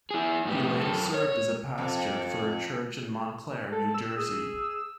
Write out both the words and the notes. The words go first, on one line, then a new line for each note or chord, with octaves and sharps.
He later served as a pastor for a church in Montclair, New Jersey.
E4 G#4
F2 A2 B3 G4
F#2 A4
C#5
F2
A4
E6
G#4